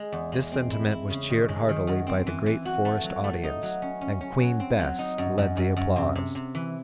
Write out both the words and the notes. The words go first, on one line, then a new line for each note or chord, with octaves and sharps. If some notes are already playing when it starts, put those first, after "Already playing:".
This sentiment was cheered heartily by the great forest audience, and "Queen Bess" led the applause!
Already playing: G#3
E2
G#3
C4
E4
E4
C#3
D#3
G#3
D#3
F#2
C4
E3
E3
F#4
A3
F#3
A3
D#4
F#3
C#4
C#4
C#4
F#3
C4
F#3
D#4
F#2
F#2
F#2
F#2
C3
C3
C3
E3